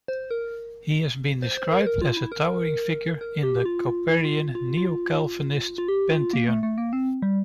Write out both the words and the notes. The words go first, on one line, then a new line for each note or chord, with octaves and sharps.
He has been described as a "towering figure" in the Kuyperian Neo-Calvinist pantheon.
C5
A#4
C5
C5
A#4
C5
A#4
F4
E4
A#4
A#4
G4
F4
E4
F4
F4
F4
F4
G4
F4
A#3
A3
A3
A#3
C4
G3